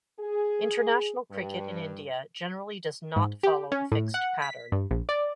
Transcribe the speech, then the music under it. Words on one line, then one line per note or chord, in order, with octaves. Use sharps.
International cricket in India generally does not follow a fixed pattern.
G#4
G2
G#2
G4
C#4
A2
F#5
B6
G2
A#1
D5